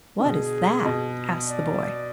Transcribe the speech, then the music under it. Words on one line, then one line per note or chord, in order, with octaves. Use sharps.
"What is that?" asked the boy.
D3
B2 G#4
B2
D5